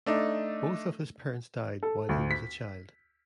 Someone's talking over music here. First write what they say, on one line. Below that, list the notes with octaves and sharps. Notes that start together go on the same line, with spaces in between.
Both of his parents died while he was a child.
A3 D4 D#4
A4
D2
B6